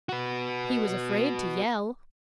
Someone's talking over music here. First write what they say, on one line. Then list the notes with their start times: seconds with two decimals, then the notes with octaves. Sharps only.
He was afraid to yell!
0.09 F#4 B4